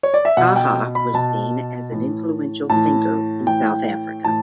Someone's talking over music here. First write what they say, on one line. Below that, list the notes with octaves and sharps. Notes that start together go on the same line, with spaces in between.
Taha was seen as an influential thinker in South Africa.
C#5
D5
E5
B2 F#5
G5
B5
B2 A5
A2 E3
A2 E3 A5
A2 E3 G5
A2 E3 A5